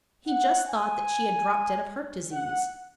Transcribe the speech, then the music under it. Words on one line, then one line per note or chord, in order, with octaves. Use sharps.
He just thought that she had dropped dead of heart disease.
F#5
G#5
F#5